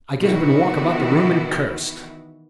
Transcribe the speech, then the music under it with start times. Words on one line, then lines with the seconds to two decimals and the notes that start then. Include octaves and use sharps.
I get up and walk about the room and curse....
0.19 B2 D#3 E3 B3 E4 F#4